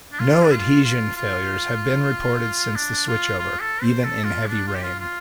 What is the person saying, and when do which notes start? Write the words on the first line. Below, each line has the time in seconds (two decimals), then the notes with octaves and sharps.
No adhesion failures have been reported since the switchover, even in heavy rain.
0.12 D4
0.20 F4
0.44 D4
0.51 F4
0.84 F4
1.16 F4
2.76 D4
3.08 F4
3.39 F4
3.61 A4
3.82 C5
4.04 A4
4.24 F4
4.46 D4
4.67 F4
4.75 G4
4.83 F4
4.99 F4